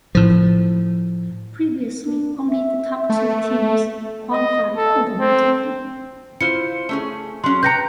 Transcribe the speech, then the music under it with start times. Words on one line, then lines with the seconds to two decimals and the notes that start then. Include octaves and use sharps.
Previously only the top two teams qualified automatically.
0.15 A2 F3
2.03 D4
2.49 E5
3.10 A3
4.33 D#5
4.76 A4
5.20 C4
6.41 E4 F4 C5 C#7
6.89 A3 C#4 G#4
7.44 F#3 C#4 C6
7.63 B4 G5 A#5 G6 A#6 C#7